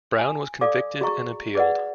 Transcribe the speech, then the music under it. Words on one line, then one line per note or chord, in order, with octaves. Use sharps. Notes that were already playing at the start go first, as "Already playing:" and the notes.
Brown was convicted and appealed.
G#5
A4 D5 F5 D6
F#4 G#4 D#5 A#5 C#6
G#4 B4 D5 D#5 F#5